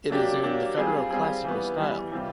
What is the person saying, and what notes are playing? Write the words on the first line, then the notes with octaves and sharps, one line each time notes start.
It is in the Federal Classical style.
F#3 A#3 D4 G4
F#3 A#3 D4 G4
G3 C4 F4 G#4
G3 C4 F4 G#4
E3 G3 B3
E3 G3 B3
C3 E3 G3 C4 F4